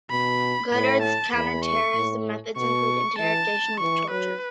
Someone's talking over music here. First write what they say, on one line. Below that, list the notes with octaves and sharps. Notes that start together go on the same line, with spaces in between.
Godard's counter-terrorism methods included interrogation with torture.
B2 B5
A2 B5
A5
E2 B5
C#6
A2
B2 C#6
E3 A5
E3 C#6
F#3 B4